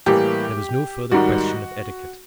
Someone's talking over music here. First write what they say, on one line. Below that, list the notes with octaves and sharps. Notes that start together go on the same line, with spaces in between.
There was no further question of etiquette.
A2 E3 G3 A#3 G4
G#2 D#3 G3 F#4